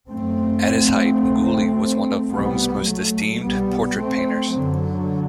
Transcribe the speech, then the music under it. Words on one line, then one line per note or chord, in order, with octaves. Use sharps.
At his height, Gaulli was one of Rome's most esteemed portrait painters.
F#2 A3 C4
D2 C3
C2 B2 G3 B3
F#3 A3
C2 B2 G3 B3
A3 C4
F#2 D3 F#3